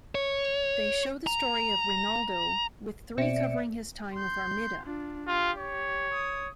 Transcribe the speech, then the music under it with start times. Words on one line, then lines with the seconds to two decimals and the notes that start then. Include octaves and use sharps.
They show the story of Rinaldo, with three covering his time with Armida.
0.15 C#5
1.27 A#5
3.18 B2 C4 D5 E5 C#7
4.14 C6 G6
4.86 D4 F4
5.27 F4 G4
5.57 C#5
6.14 D#6